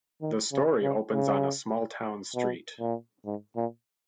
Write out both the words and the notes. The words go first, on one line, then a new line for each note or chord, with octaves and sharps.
The story opens on a small-town street.
D#3
C#3
C#3
C#3
B2
A#2
G#2
A#2